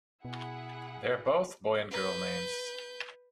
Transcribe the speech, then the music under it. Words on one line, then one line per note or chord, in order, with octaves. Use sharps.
They are both boy and girl names.
B2 E4 G#4 F#5
B4 G6